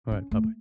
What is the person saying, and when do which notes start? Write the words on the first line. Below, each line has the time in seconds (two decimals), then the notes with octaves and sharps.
Alright, bye-bye.
0.12 C#4
0.31 A3